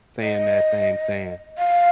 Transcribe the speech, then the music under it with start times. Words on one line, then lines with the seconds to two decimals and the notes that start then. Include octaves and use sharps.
saying that same saying,
0.22 D#5
1.58 F5